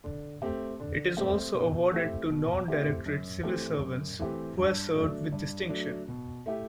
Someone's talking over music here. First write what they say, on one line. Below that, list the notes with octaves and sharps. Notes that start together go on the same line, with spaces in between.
It is also awarded to non-directorate civil servants who have served with distinction.
D3
A3 C4 G4
D3
A3 C4 G4
B2
A3 C4 E4 G4
B2
A3 C4 E4 G4
F#2
E3 A3 C4 G4
F#2
E3 A3 C4 G4
G2
F#3 A3 D4
G2
F#3 A3 D4
B2
A3 E4 G4